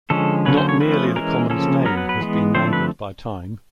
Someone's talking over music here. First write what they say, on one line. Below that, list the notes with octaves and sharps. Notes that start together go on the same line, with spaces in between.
Not merely the common's name has been mangled by time.
D3 F3 G#3 C#4 A4
D3 F#3 A#3 C#4 B4
C5
C#5
F3 A3 C#4 B4
E3 G#3 C#4 A#4
C#3 F3 A#3 C#4 A4
F#3 B3 A#4
B4
B4
E3 G#3 B3
D3 F3 A3 C4 C5
B4